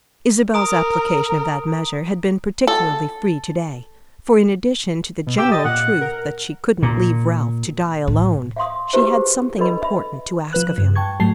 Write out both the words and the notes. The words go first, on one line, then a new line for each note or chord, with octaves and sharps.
Isabel's application of that measure had been particularly free to-day, for in addition to the general truth that she couldn't leave Ralph to die alone she had something important to ask of him.
A#4 A#5 D#6 D7
A4
B2
G4 E6
D#5 A6
A#2 F#5
A#4
A#2
A2
E5 F5 C6 D#6
E4 F#4 G4 B4 C5 E5
G#4
D4 A4 B4 D#5 B5
E5 B5
F3 B4 F#6
G2
G5 A5 C#6 G#6
G#2 F#3 A3 A5 C7